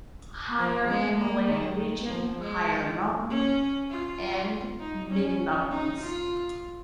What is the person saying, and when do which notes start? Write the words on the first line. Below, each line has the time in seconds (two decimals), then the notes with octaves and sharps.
Higher Himalayan Region, Higher Mountain and mid - Mountains.
0.58 F3
0.87 G#3
1.18 A#3
1.49 D#3
1.78 D#3
2.08 F3
2.39 G#3
3.30 C#4
3.91 F4
4.80 D#4
5.11 C#4
5.71 D#4
6.02 F4